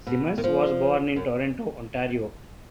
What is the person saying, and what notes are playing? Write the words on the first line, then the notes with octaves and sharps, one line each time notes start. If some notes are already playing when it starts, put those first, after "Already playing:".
Simmons was born in Toronto, Ontario.
B2
D#3
F3
F#2